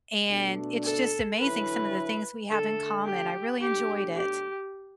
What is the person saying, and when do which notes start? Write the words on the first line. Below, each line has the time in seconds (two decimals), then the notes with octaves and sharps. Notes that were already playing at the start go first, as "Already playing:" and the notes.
and it's just amazing some of the things we have in common. I really enjoyed it.
0.29 B2 A3 D4
0.84 A4
1.39 D3 F#3 C#4 E4 B4
2.50 D3 A3 D4 A4
3.05 G4
3.60 B2 F#3 A3 D4 G4
4.15 G4